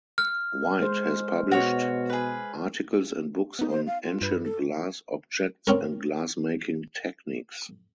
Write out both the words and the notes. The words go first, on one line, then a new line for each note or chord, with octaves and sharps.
Wight has published articles and books on ancient glass objects and glass making techniques.
F6
G#3 C5
B2 F#4 C#5
G#4 B4
B3 D#4
C5
F5
F4
G2 B4
A4
C4 C#4 A#4